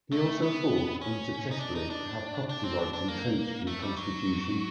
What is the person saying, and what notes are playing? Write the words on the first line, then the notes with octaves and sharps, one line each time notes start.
He also fought, unsuccessfully, to have property rights entrenched in the constitution.
A3
B3
C#4
D#4
D4
D#4
D4
D4
C4
D4
D4
A#3
A3
G3
F#3